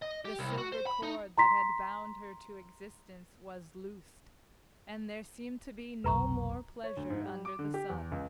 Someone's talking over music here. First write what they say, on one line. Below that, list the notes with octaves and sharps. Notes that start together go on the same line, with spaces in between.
The silver cord that had bound her to existence was loosed, and there seemed to be no more pleasure under the sun.
D#5
G4
C2
F#4
C5
B5
D#4
A#5 C6 B6
F1 B1 B4 A#5 C#6
C#5
D2
G#2
G3
D6
D3
G4
E2
C#2